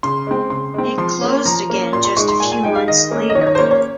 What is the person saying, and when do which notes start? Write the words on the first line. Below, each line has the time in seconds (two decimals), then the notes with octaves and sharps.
It closed again just a few months later.
0.03 C#3 C6
0.27 G#3 C4
0.50 C#3 C6
0.74 G#3 C4
0.98 F3 C6
1.21 A#3 C#4
1.45 F3 A#5
1.70 A#3 C#4
1.92 A#2 C6
2.05 C6
2.16 G#3 D#4 C#6
2.28 C6
2.40 A#2 G#5
2.52 G#5
2.63 G#3 D#4 G5
2.75 F5
2.88 D#3 D#5
3.11 A#3 C#4
3.29 D#5
3.35 D#3 C#5
3.41 D#5
3.47 C#5
3.55 C5
3.58 A#3 C#5
3.62 C#4
3.71 C#5